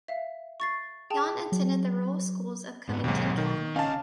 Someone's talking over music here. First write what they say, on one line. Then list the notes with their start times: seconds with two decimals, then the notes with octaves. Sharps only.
Yawn attended the rural schools of Covington County.
0.08 E5 F5
0.60 C#6 A6 C7
1.10 G#4 G5 A5
1.52 F#3
2.89 G#2 B3
3.04 D#2 G#2 B2 F#3
3.38 D#3
3.76 C#4 D#5 F5 G#5 A5